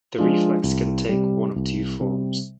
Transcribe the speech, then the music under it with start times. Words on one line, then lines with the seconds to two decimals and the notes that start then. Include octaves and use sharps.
The reflex can take one of two forms.
0.18 F3 G#3 D4 F4
0.64 C2
1.09 C3 G3
1.56 C2
2.01 C3 G3